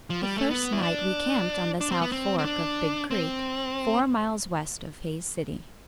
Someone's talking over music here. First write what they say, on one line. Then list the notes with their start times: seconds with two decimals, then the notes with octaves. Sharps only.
The first night we camped on the south fork of Big Creek, four miles west of Hays City.
0.10 F3
0.23 G3
0.37 A3
0.50 B3
0.73 E4
0.82 D4
1.81 D4
1.92 C4
2.01 B3
2.12 C4
2.38 C4
2.45 D4
3.11 C4